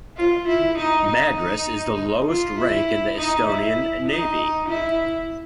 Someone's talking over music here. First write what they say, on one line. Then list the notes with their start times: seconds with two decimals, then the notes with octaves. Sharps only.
Madrus is the lowest rank in the Estonian Navy.
0.17 F4
0.48 E4
0.78 D#4
1.07 D#4
2.28 F4
2.58 E4
3.17 D#4
3.47 E4
4.08 D#4
4.68 E4